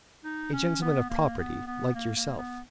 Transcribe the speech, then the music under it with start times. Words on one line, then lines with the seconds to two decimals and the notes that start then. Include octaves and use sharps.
"A gentleman of property, like yourself."
0.24 D#4
0.53 C#4
0.82 B3
1.10 A#3
1.39 B3
1.67 B3
1.95 A#3
2.16 A#3
2.38 B3